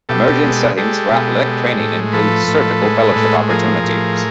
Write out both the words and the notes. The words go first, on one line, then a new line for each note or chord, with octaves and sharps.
Emerging settings for athletic training include surgical fellowship opportunities.
B2 G4 A4
G#3
G#3 G4 A4
B2
G#3
A2
F3 A4 B4
A2
G#3
A2
F3 G#4 A#4
A2